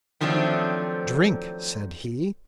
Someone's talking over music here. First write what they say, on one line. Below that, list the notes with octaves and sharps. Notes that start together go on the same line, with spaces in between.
"Drink!" said he.
D#3 F3 F#3 A3 C4 D4